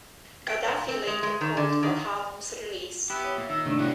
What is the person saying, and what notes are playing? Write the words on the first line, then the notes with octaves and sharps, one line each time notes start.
Gaddafi later called for Hallum's release.
G5
A#2
C4
G#3
G#3
D#3
D3
D#3
B3 E4 G4
C#5
A#2
D#3 E5
D#2 A2 C3 A3 D4 D#4
B3 E4 F#4 G4 F#5